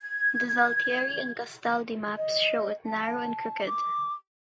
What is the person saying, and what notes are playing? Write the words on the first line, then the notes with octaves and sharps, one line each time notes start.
The Zaltieri and Gastaldi maps show it narrow and crooked.
G#6
D#5
A5
D6